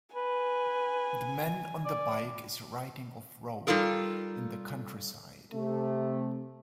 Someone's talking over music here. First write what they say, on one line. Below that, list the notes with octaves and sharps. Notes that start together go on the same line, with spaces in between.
The man on the bike is writing off road in the countryside.
B4 G#5
D5
G3 D#4 F4 A4 A#4
C3 A3